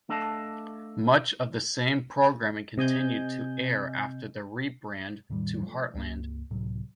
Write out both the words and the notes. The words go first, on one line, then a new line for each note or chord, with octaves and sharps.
Much of the same programming continued to air after the rebrand to Heartland.
A3 D4 A4 D#5 F5 A5
C3 D#5 G#5 G6
E2 A2 D#3 G3
F3 A3
C#2 G2 A#3
C#2 A2 C3 F#3